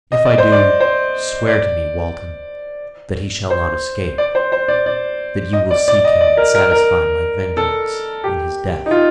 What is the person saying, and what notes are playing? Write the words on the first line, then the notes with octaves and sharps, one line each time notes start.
If I do, swear to me, Walton, that he shall not escape, that you will seek him and satisfy my vengeance in his death.
D#5
D5
C5
D5
C5
D5
C5
D5
C5
C5
D5
D5
D#5
D5
D5
D#5
D5
A#4
A#4
A#4
A4
G4
D#4
F4